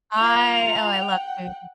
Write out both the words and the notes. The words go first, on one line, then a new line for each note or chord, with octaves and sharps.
I Oh, I love food.
F4 A#5 F7
F#5 G5